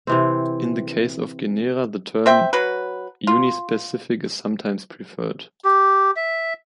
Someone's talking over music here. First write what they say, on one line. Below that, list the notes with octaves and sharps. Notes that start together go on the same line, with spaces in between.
In the case of genera, the term "unispecific" is sometimes preferred.
C3 E3 C4
C4 E5 G5
F#3 B4
F4
G4
E5